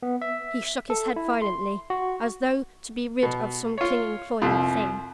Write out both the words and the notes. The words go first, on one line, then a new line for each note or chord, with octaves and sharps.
He shook his head violently--as though to be rid of some clinging, cloying thing.
B3
E5
A4
E4
C6
F#4
B2
F4 C#5
C2 F2